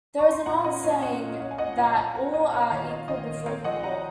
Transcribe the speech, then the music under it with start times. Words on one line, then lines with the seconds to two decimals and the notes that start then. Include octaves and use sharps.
There is an old saying that 'All are equal before the law.
0.19 C#6
0.33 C6
0.46 A#2 F#5 A#5
0.64 C#4 D#5 F#5
0.83 A#2 C#5 F5
1.02 C#4 D#5 F#5
1.21 A#2
1.39 A#2 C#5 F5
1.51 G#5
1.58 A#3 D#5 F#5
1.73 F#5
1.77 A#2 F5 G#5
1.96 F4 F5 G#5
2.14 A#3 F#5 A#5
2.33 F4 D#5
2.52 A#3 C#5 F5
2.71 D#3 C#5 F5
2.90 F4 D#5
3.08 D#3 D#5
3.27 D#3
3.46 C4 C#5 F5
3.64 F3 D#5 F#5
3.83 C4 F#5 A#5